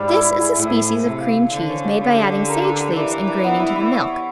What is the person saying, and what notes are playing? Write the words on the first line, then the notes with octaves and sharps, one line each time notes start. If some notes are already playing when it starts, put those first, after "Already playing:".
This is a species of cream cheese made by adding sage leaves and greening to the milk.
Already playing: G#2 G3 C4
E4
E4
G#4
A2 E4
E4
E4
C3 A4
F5
A4
D3 C5
C#4
G4
D3 C#4
G4
G4
A#4
G4
G4
E3 D4
D4
D4
B3
E4
E4
C#5
C#5